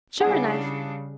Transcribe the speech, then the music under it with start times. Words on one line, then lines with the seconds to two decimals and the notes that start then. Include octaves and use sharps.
Sure enough.
0.21 C#3 G3 D4 E4 G#4 F#5